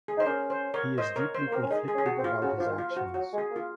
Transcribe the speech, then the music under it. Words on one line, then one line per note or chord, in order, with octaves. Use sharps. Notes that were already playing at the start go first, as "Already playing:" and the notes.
He is deeply conflicted about his actions.
G#4
D#4 C5
C#4 A#4
C5
A#4 C#5
C5 D#5
A#4 C#5
C5
A#3
C4 A#4
C#4
D#4 G#4
G#4
C#4
G#4
F#4
C4
F4
C#3 F#4
F3 F4
D#3
F4
F3
F#4
F#3 F#4
G#3
G#4
A#3
F4